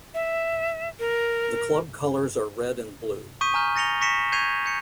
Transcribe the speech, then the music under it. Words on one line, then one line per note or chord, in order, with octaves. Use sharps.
The club colors are red and blue.
E5
A#4
C#6 D#6 G6 B6 D#7
G#5 A#5 F6 G6 G7
A6 A#6 C#7 F7 G7
C#6 A#6 B6 C#7 E7
C#6 G6 G#6 C7 D#7 F7
G6 C#7